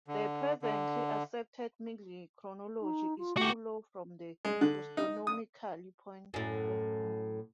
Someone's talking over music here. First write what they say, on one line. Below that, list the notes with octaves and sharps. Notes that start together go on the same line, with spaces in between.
The presently accepted middle chronology is too low from the astronomical point of view.
D3
D3
D#4
F4
A3 F#4 G4
G#3
D3
D#4
D#6
F#2 A2